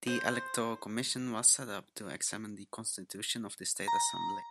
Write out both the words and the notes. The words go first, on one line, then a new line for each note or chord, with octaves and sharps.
The Electoral Commission was set up to examine the constitution of the States Assembly.
C5
A#5